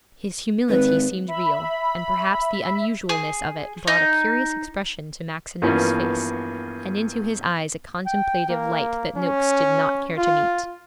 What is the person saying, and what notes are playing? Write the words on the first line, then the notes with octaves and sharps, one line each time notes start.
His humility seemed real, and perhaps the unusualness of it brought a curious expression to Maxineff's face, and into his eyes a contemplative light that Noakes did not care to meet.
G#1 B4
E5 B5
G#4
D#4
E2 G2 F3 A#3 B3 C#4
G5
A#3
C#4
F4